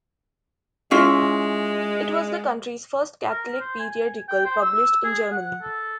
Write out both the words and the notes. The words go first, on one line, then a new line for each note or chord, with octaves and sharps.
It was the country's first Catholic periodical published in German.
G#3 C#4 E4 F4
A#4
C5
G#5
G5
C5
E6
G#4
F#5
A4